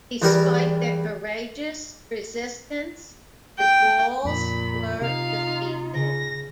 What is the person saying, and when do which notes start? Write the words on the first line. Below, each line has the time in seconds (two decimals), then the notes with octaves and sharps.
Despite their courageous resistance, the Gauls were defeated.
0.22 E2 G3 A#4
3.59 G5
4.25 F2 A#2 B5
5.02 C3 D#4 F4 F5
5.94 C#3 A#6